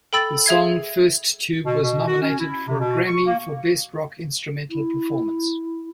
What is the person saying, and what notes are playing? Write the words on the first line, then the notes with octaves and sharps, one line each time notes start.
The song "First Tube" was nominated for a Grammy for Best Rock Instrumental Performance.
A4 G5 B5 E6 A6 F#7
G#4 E5 G#6 C7
B2
B2
F#4
C#4
E4
C3
B2
C#6
A#3
E4